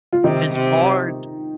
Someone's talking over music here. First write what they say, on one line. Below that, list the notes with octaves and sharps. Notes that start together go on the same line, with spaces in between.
it's hard
F4
C3 D#3 D#4
C3